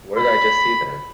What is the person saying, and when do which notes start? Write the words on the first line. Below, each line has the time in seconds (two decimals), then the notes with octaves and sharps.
What did I just see then?
0.18 B5